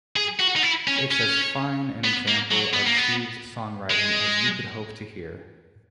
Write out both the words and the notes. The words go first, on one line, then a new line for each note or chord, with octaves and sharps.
It’s as fine an example of Steve’s songwriting as you could hope to hear.
G#4
F#4
D#4
E4
C#4
C#4
B3
A#3
F#3
B3
A#3
B3
G#3